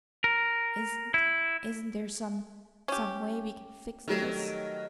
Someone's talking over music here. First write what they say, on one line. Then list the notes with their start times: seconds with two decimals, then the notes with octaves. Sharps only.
"Isn't--isn't there some--some way we can fix this?"
0.24 A#4
1.14 E4
2.88 C#4 G4
4.08 D#3 F#3 G3 A3